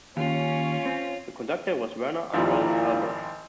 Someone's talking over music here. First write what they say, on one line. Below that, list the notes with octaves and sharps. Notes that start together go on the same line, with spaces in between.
The conductor was Werner Andreas Albert.
D#2 C#4 F4
C4
G#1 A#2 F3 G3 E4